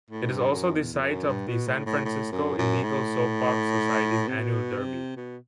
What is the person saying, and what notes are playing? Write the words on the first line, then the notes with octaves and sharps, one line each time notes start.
It is also the site of the San Francisco Illegal Soapbox Society's annual derby.
A2
G2
F#2
E2
E2
F#2
G2
B2
A2
A2
A2
F#2
F#2
A2
C3
B2
C3
B2